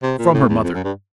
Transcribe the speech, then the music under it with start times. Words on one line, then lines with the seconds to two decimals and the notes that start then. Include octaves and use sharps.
From her mother.
0.03 C3
0.18 A#2
0.34 A2
0.49 E2
0.64 F2
0.74 F#2
0.84 G2